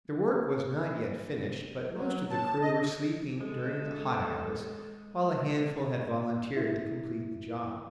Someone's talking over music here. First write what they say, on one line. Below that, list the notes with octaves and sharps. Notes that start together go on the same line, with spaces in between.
The work was not yet finished, but most of the crew were sleeping during the hot hours, while a handful had volunteered to complete the job.
F#3
A5
D#5
G#3 A4
E4